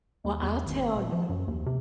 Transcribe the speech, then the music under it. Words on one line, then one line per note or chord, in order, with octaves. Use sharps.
Well, I'll tell ya.
D#2
E2
G#1
D#1
F3
F#2
D#2
C3